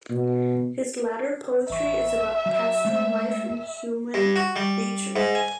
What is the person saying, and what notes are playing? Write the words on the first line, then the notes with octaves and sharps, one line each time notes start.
His latter poetry is about pastoral life and human nature.
B2
A1 E5 C#6
F#3
G#3 A3
G2
F#4
G3
G#2
G#5